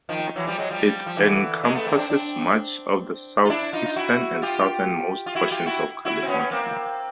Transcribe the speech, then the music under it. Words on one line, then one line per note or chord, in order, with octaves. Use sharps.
It encompasses much of the southeastern and southernmost portions of California.
D#3 F3
E3 F#3
F3 G3
F#3 G#3
F3 G3
F3
D3 E3
G#3 A#3
A3 B3
A#3 C4
C4 D4
C4 D4
F4
D4 E4
D#4 F4
F4
E4 F#4
F4 G4
F4
E4 F#4
F4 G4
E4 F#4
E4 F#4
C4
B3 C#4
A#3 C4